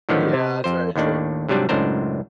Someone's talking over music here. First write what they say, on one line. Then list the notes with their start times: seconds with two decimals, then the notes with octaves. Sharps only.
Yeah, that's very true.
0.09 A2 D3 D#3 F3 F#3 B3
0.34 C3
0.64 F2 C5
0.95 D#2 A2 D#3 D4
1.49 G#2 C3 F#3 G3 D4
1.69 C#2 F#2 A2 D4 C5 A#5